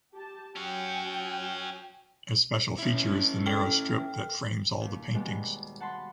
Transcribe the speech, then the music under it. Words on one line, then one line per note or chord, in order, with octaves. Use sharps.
A special feature is the narrow strip that frames all the paintings.
G4 A5
F#3 C#4 F#4 G5 G#5
C#4 E4
A4 G5 F6
D#2
B2 D#3 G3 G#3 B3
F#5 A5 B5 C6